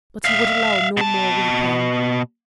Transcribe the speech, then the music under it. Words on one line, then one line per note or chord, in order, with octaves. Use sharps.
But he would allow no more weeping.
E5 F5
B2 A5